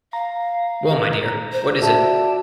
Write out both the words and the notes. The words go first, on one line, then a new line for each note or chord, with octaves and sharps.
Well, my dear, what is it?
F5 A#5
C5
F#4 D5 E5 A5